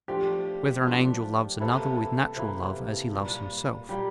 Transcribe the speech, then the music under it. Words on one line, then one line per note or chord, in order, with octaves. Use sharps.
Whether an Angel Loves Another with Natural Love As He Loves Himself?
F3 A3 D4 F4 G4
F3 A3 D4 F4
C3 E3 A#3 E4 A4
C3 E3 A#3 E4
A#2 G3 A#3
A#2 G3 A#3 G4